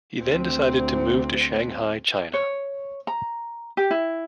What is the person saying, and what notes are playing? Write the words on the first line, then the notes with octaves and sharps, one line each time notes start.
He then decided to move to Shanghai, China.
D2 C4
C#5
A#5
G4
E4